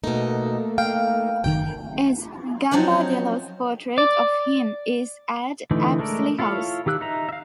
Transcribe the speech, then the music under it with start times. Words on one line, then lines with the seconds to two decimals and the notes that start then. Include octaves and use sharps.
S. Gambardello's portrait of him is at Apsley House.
0.04 B2 A3 A#3 D#4
0.78 D#4 F5 G5
1.44 F#1 A2 D#3 G5
2.71 F3 F#3 C4 C#4 D#4
3.98 D5
5.71 D3 E3 A3 D#4
5.99 G#3 A3 A4 A#4 D5
6.39 E4 F4 A4 C#5 F5
6.86 D#3 G4 E6 F#6
7.01 D#4 E5 A#5
7.29 E5 F5